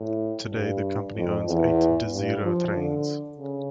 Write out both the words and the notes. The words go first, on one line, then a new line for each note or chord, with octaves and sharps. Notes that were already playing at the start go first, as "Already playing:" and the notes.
Today the company owns eight Desiro trains.
Already playing: A2
G2
F2
E2
G2
F3
D3
C#3